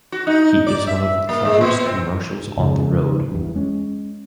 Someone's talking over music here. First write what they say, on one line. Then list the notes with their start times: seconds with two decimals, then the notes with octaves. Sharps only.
He is one of the cleverest commercials on the road.
0.12 F#4
0.27 D#4
0.67 D5
0.87 E5
1.29 A#3
1.45 G#3
1.61 B3
1.86 C4
2.57 G#2 C#3 F3 G#3
3.31 E2 G2
3.55 G#3 C#4